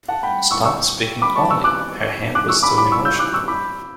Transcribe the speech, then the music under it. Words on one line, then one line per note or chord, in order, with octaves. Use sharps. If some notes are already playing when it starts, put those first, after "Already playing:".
Stopped speaking only; her hand was still in motion.
F#5 A5
G5 B5
C#6 E6
C#6 E6
B5 D6
A5 C#6
C#6 E6
D6 F#6
D6 F#6
C#6 E6
B5 D6
B5 D6
C#6 E6
E6 G6
D6 F#6
C#6 E6
B5 D6